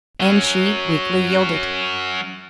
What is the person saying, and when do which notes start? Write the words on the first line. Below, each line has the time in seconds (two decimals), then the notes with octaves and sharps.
And she weakly yielded.
0.21 F#3 C#4